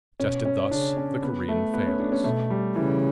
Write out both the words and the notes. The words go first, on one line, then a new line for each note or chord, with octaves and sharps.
Tested thus, the Korean fails.
B2 C#4
C#4
C#3 D4
C#4
B3
A3
B3
C#4
D4
C#4
B2 A3
G3
C#3 E3